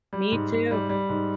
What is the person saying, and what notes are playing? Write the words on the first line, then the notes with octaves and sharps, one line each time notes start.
Me too,
G3
G#2
G#2
G3
G3
G#2